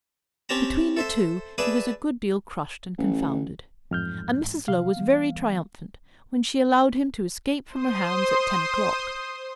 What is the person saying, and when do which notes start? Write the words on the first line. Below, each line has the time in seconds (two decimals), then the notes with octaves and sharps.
Between the two he was a good deal crushed and confounded, and Mrs. Low was very triumphant when she allowed him to escape from her hands at ten o'clock.
0.49 C4 C#4 G4 A5 A#5
0.97 A4 C5 E5
1.58 G#4 B4 D5 E5 G#5 A5
2.98 A1
3.91 A1 F2 G#2 F6 G6
4.68 C3 D#3 E3 F5
4.96 E3 G3 B3
7.68 C5 C6 D#6